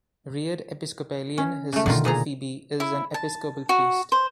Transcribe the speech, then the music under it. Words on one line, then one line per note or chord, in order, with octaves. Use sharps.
Reared Episcopalian, his sister Phoebe is an Episcopal priest.
C#4
C#3 A3
B2 D3 D#3 B3 F4
A#2 G#4 A#5
E4
A5
F#4
C5